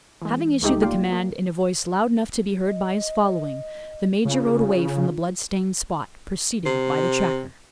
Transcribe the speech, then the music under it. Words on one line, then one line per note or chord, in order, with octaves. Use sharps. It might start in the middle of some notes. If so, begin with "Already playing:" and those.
Having issued the command, in a voice loud enough to be heard by his following, the major rode away from the bloodstained spot, preceded by the tracker.
E3 G#3
C#2 G#3 A3 D#4 G4
A#3 F4 D5 F5 G5
A#3
D#5
C#3 F4
C3